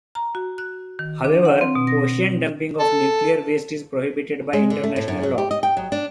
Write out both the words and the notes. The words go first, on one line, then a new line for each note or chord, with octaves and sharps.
However, ocean dumping of nuclear waste is prohibited by international law.
A#5
F#4
F#6
D#3
D4
F#5
C4
B2
A#6
A4
G#3
D3
A3
A2
F#2
F#3
G4
D#5
G5
F#3
D4